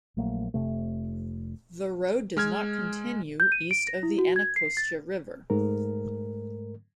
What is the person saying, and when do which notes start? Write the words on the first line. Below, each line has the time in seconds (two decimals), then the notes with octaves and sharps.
The road does not continue east of the Anacostia River.
0.17 A#1 F#3 A3 A#3
0.54 F1 C3 A3
2.37 G#3 F6 G#6
3.40 G6
3.52 D#7
3.71 D7
3.87 A#6
4.03 E4
4.18 F#4
4.36 G#6
4.56 C7
4.77 A6
5.50 G#2 A3 A#4